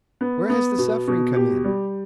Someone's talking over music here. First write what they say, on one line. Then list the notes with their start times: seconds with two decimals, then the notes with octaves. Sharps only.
Where has the suffering come in?
0.21 B3
0.49 B3
0.78 B2
1.07 B2
1.36 G4
1.64 G3